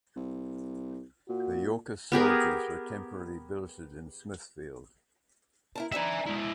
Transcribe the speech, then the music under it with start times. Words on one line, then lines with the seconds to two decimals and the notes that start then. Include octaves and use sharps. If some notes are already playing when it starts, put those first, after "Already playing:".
The Yorkist soldiers were temporarily billeted in Smithfield.
0.16 C2
1.29 A#2 F#4
2.12 B3 G4 G#4 A#4
5.75 E4 A#4 A5
5.92 C4 D4 D#4 E5 G#5
6.26 G#3 E4